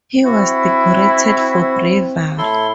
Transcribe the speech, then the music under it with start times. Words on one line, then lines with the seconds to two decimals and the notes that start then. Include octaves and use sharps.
He was decorated for bravery.
0.25 C4 E4 F#4
2.38 A2 E4 A4 C6